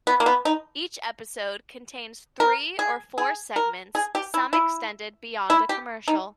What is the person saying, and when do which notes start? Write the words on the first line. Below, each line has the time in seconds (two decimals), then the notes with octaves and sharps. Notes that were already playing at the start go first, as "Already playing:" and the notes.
Each episode contains three or four segments, some extended beyond a commercial.
0.07 B3
0.20 A#3
0.26 B3
0.45 D#4
2.40 A#4
2.79 G#4
3.18 G#4
3.56 A#4
3.95 G#4
4.15 G4
4.34 E4
4.53 E4
5.50 E4
5.69 G4
6.08 D#4